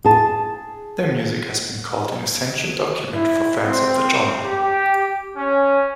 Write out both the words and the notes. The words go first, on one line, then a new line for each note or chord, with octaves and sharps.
Their music has been called an "essential document" for fans of the genre.
G#4 A5
E4
C4
G4
C#4